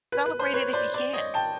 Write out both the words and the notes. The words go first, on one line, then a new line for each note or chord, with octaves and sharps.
celebrate it if you can.
B4
B4
C5
B4 C#5
C5 D5
C5 D5
C#5 D#5
G5 A5